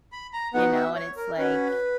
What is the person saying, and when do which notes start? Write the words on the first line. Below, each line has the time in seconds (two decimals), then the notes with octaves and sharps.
you know? And it's, like,
0.12 B5
0.33 A#5
0.54 B3 D#4 F#4 F#5
0.75 E5
0.96 C#5
1.17 A#4
1.38 C#4 F#4 B4